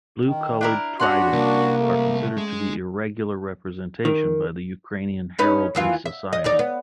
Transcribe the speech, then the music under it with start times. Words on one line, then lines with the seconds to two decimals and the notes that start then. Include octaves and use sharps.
Blue colored tridents are considered to be irregular representation by the Ukrainian Heraldry Society.
0.25 D#3
0.61 D4 E4 A#4
1.00 C#4 D4 F#4 F#5 C6
1.32 C2 A#3
1.78 A3
2.38 G#3
4.05 D#3
5.39 C#4 D#4 B4
5.75 D#2 E3 F4
6.06 E5
6.33 D#5
6.44 D#2 D#4 D5
6.59 B3